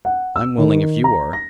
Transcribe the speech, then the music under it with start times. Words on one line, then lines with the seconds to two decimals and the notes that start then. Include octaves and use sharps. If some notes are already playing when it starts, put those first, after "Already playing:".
"I'm willing if you are."
0.05 F#5
0.36 E6
0.58 D#3
1.04 A#5
1.33 A#6